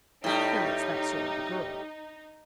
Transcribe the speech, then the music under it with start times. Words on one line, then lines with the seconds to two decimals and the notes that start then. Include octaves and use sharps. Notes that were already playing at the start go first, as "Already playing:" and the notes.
Harriet's that sort of a girl.
0.24 A2 G3 D#4